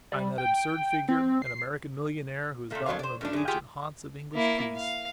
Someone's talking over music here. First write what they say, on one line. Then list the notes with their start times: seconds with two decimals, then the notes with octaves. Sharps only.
I am that absurd figure, an American millionaire, who has bought one of the ancient haunts of English peace.
0.12 G3
0.38 G5
1.08 C4
1.42 C7
2.71 A#2 D#3 A3 A#3
2.86 F2 F#3 C#5 F5
2.99 C5 D5
3.21 G2 A3 D4
3.33 F#2 G#4
3.47 A3 F4 G4 G#4 F#5 G5
4.34 A#3 E4
4.76 F5